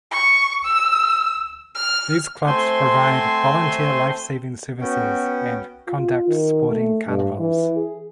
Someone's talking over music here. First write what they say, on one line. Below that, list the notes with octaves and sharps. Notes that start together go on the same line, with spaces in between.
These clubs provide volunteer lifesaving services and conduct sporting carnivals.
C#6
E6
F6
A3 C4 C5 G#5 C6
B3 C#4 F#4 G5
F4
D#3
A3
G2
E3
G#4